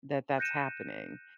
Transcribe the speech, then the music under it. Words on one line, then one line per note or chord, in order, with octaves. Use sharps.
that that's happening,
F#6 G6 A#6 C#7 D#7 E7